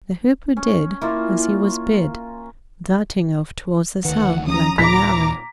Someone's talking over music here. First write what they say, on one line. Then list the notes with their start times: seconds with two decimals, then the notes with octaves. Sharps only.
The Hoopoe did as he was bid, darting off towards the south like an arrow.
0.57 C#4
1.02 A#3 E4 F4
4.05 D2 D#3 B4 F#5
4.47 D#2 F3 C#4 A#5 D#6
4.78 D#2 A#2 A#5 B5 D6 B6